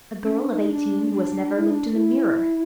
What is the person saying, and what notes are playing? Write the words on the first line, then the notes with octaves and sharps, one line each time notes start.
A girl of eighteen who has never looked in a mirror!
C#4
D4
D#4
D4
D4
E4
D4
E4